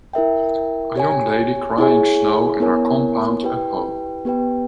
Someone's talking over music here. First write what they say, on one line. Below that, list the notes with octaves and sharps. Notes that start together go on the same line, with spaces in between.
A young lady crying snow in her compound at home.
E4 A#4 E5 G5
G4 C#5 G#5
E4 G#4 C#5 G#5
B3 E4 A#4 C#5 G#5
E4 G4 B4 G5
B3 G4 B4 G5